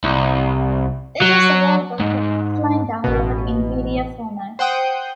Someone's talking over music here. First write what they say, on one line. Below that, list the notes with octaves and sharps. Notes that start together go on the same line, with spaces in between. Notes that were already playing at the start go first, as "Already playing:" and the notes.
It is available for off-line download in pdf format.
C2
F#3
G#2
A1 B2
C5 F#5 G5 D#6